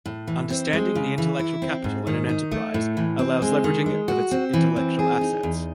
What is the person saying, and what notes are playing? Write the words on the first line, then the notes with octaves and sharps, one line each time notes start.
Understanding the intellectual capital in an enterprise allows leveraging of its intellectual assets.
A2
E3
C4
G#3
C#3
E3
E4
C4
G#2
D#3
D#4
A3
A2
E3
C4
G#3
D#3
G#3
F#4
C4
E3
C4
G#4
D#4
E2